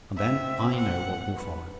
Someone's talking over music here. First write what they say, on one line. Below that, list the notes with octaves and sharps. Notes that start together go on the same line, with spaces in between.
And then I know what will follow.
C4 E5
F#5
B3